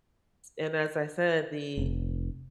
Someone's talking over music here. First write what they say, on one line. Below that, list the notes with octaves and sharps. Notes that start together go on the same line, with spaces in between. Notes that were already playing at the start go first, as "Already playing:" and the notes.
and, as I said, the
F1